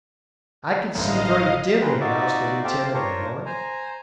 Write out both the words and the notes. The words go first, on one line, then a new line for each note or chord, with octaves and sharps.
"I can see very dimly," announced the lieutenant in a moment.
A1 G2 D3 D#5 F5
F4 G#4 A#4 B4 G5 C6
D#4 F4 F#4 D5 E5
G4 A4 C5 F5 G5
D4 F4 A#4 C5 C#5
C5 G#5 A#5